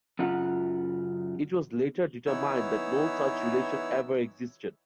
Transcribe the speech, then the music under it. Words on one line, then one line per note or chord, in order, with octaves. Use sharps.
It was later determined that no such relation ever existed.
F#2 C#3 F4 F#5 A#5
E3 B3 D#4 E4 C#5 E6